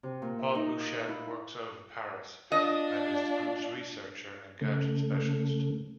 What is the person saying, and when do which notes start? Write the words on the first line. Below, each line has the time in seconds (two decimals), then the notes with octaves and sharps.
Paul Buchet works out of Paris, and is the group's researcher and gadget specialist.
0.03 C3
0.22 A#2
0.39 E5
0.55 D#4
0.81 D#6
1.08 E4
2.52 D4 F4 D#5
4.61 C#3 A3